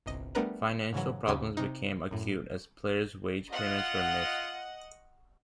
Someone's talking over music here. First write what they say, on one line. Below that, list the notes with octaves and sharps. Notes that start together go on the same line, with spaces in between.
Financial problems became acute, as player's wage payments were missed.
G1 C2 D#5
G3 A3 B3 D4 A#4 B4
G#2 C#3 E3 F#3
D#2 C#3 F#4 G4 C6 G#6
C3 D#4
F#2 A2
F4 D#5 F#5